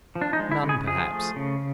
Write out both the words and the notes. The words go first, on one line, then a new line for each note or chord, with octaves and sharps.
None, perhaps!
F3
D4
D#4
G#3
E4
C#3
G#4
F3 G#4
A3
C#3